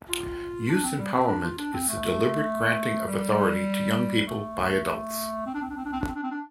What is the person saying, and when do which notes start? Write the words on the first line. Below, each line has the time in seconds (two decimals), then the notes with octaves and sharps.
Youth empowerment is the deliberate granting of authority to young people by adults.
0.09 F4
0.69 D4
0.84 C4
0.98 G3
1.13 C4
1.28 D4
1.44 F4
1.58 D4
1.73 C4
1.88 A3
3.08 G3
4.27 A3
5.46 C4
5.54 D4
5.62 C4
5.70 D4
5.77 C4
5.85 D4
5.93 C4
6.00 D4
6.08 C4
6.15 D4
6.23 C4
6.31 D4